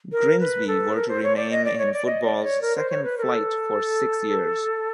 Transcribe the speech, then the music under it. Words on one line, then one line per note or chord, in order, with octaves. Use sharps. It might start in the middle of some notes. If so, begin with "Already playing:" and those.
Grimsby were to remain in football's second flight for six years.
A#4
B4
A4
A#4
C5
C#5
D5
D#5
D5
C#5
D5
D#5
D5
C#5
A#4
C5
C#5
B4
A#4
A4